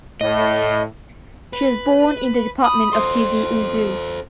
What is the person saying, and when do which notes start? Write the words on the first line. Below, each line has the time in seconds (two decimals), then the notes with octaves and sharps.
She was born in the department of Tizi Ouzou.
0.21 A2 D#5
1.53 B4
2.64 B5 D#6
2.93 A4 C5 C6